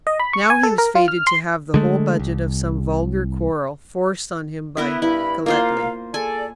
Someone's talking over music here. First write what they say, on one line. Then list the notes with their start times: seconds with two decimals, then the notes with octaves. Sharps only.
Now he was fated to have the whole budget of some vulgar quarrel forced on him by Galletly.
0.07 D#5
0.20 B5
0.33 C#6
0.50 G#5
0.63 A4
0.78 A#4
0.95 F4
1.08 F6
1.27 C6
1.74 D3 G#3 A3
2.19 C2
4.77 B3 E4 A#4 B4
5.02 G2 E4 B5
5.46 A#3 F4 A#4 C5 F5
6.14 G#4 A4 D5 G#5